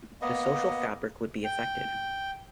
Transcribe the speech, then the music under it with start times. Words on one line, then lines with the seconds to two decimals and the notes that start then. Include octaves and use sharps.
The social fabric would be affected.
0.22 A#3 B3 D#5
1.44 G5